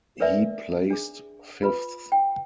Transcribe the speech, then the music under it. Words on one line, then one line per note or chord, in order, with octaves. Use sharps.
He placed fifth.
D4 A#4 B4 D5 E5 G#5
D4 G#4
F4 B4 B5
G5